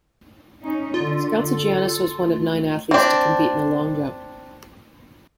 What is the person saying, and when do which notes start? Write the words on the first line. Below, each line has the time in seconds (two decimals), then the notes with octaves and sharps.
Skaltsogiannis was one of nine athletes to compete in the long jump.
0.59 C#4 D#4
0.94 D3 F4
1.42 A4
2.24 A3
2.91 C4 D4